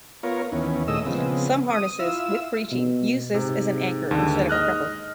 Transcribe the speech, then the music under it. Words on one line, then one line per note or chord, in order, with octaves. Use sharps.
Some harnesses with breeching use this as an anchor instead of a crupper.
B3 F4 A#4 C#5
D#2 E3 B3 C#4
A#2 D#3 G#3 A3 D#5 E6
C#3 F3 G#3 B3 C4
D#6
E4 F4 E6
B2
G#2 C3
D#2 D3
D#5 F6 F#6